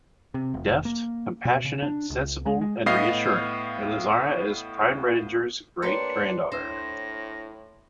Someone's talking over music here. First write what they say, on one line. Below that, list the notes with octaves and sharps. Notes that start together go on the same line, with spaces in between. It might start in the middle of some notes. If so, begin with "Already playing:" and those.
Deft, compassionate, sensible and reassuring, Elizara is Prime Reidinger's great-granddaughter.
C3
F1
A#3
B2
C#3
D4
C#2
G#3
G#3
A2 B3 D#5 F5 C7
A#3 D4 G4 B4 C#5 C6 C#7
A2 D4 E4 C5 A#6